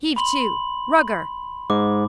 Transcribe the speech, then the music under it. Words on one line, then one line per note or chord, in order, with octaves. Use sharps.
Heave to. Rugger.
B5 C6 F#7
G#2 D6